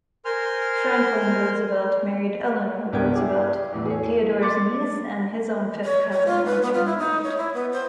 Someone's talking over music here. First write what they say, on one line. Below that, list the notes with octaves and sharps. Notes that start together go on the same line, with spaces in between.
Franklin Roosevelt married Eleanor Roosevelt, Theodore's niece and his own fifth cousin once removed.
A#4 C5 G#5 C6 F6
C2 G2 B3 A#4 G5 G#6
E4 G4 G#4 D5
E2 A2 F#3
G#4 A4 C#5
C6 D6 A6 C#7
C#5
C#5
F4
B4
B3
F4
E4
D#4
C#5
E4
B3
C5